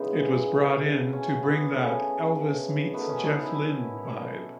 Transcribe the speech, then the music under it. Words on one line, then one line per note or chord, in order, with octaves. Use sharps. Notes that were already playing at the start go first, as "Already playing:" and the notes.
It was brought in to bring that Elvis meets Jeff Lynn vibe.
Already playing: C#3 E3 G#3 B3 D#4
C#4
E4
A2 F#3 A3
C#4
B3
C#3 E3 A3 C#4
D#3 F#3 A3 B3
C#4
D#4
E4
E4
B2 A3